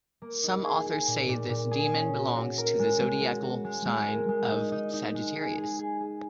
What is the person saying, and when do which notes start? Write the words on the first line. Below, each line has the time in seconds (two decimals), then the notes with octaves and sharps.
Some authors say this demon belongs to the zodiacal sign of Sagittarius.
0.22 A#3
0.43 D#4
0.64 G#4
0.86 G#4
1.07 A#2
1.29 A#2
1.50 A#2
1.71 G#4
1.93 C#4
2.14 F#4
2.35 F#4
2.58 A#4
2.79 G#3
3.01 G#3
3.21 F#4
3.42 F#4
3.64 G#3
3.85 G#3
4.07 A#4
4.29 G#3
4.50 D#4
4.72 D#4
4.93 D#4
5.15 G#3
5.36 G#4
5.58 G#4
5.79 G#4
6.00 G#4